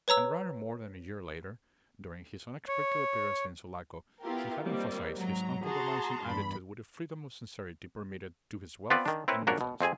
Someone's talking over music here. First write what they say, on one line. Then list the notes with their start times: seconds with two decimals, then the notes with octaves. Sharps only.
And rather more than a year later, during his unexpected appearance in Sulaco, he had emphasized his uncompromising attitude with a freedom of sincerity permitted to his wealth and influence.
0.08 B4 C#5 A#5 E6
2.67 C#5
4.22 B3 E4 F4 G4 A#4
4.64 D#3 G3 A#3 C4
5.17 G#2 F#3 A#5
5.64 F#4 G#4 A5 A#5 C6
6.24 E2 G2 B5
8.90 B3 C4 F4 B4 D5
9.05 D#3 D4
9.28 C4 E4 A#4 B4 C#5
9.47 A#1 A#3 C#4 D4 F#4 A#4
9.61 B2
9.81 F2 C4 G#4 G#5